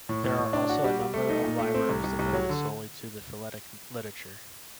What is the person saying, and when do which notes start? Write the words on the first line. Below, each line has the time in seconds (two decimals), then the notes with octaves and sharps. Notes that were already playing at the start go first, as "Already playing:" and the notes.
There are also a number of libraries devoted solely to philatelic literature.
0.09 A2
0.24 A2
0.39 A2
0.53 D4
0.69 F#4
0.84 G3
0.99 G3
1.14 A3
1.29 D#4
1.44 A#2
1.59 A3
1.74 C4
1.89 C2
2.04 C2
2.19 C2
2.33 F#3
2.49 D3